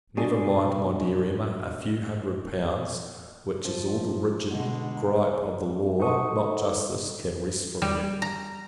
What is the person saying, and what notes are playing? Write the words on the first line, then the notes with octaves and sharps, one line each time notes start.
Never mind, my dear Emma, a few hundred pounds; which is all the rigid gripe of the law, not justice, can wrest from you.
B2 G3 D4 G#4
F3
B2 D3 G#3
D#4 A4 D#5 F#5 C#6 D#6
G3
A#5